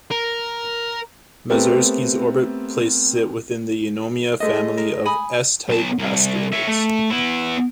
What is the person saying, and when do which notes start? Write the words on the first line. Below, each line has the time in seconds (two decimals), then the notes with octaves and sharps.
Masursky's orbit places it within the Eunomia family of S-type asteroids.
0.11 A#4
1.50 A3 B3 C4 G4 A4 A#4
4.40 G#3 A3 D#5
4.77 A#4
5.06 G#5 B5 D#6
5.69 B1 A5
5.98 C2
6.52 C#5 E5
6.67 A3
7.10 B3 E4